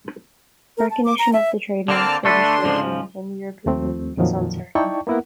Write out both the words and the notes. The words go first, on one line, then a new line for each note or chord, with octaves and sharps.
Recognition of the trademark's registration within the European Union is uncertain.
A#4
A5
D6
A#5
E5
D3 A#3 C4 D5 A5 F6
D3 A3 D4 A4 B4 C6
G#2 C#3 F3
D#2 A3 C4
F2 A#2 D#3 F3 F#3
D#4 E4 D5 G5 A5 C#6
A#3 B3 E4 A#4 F#5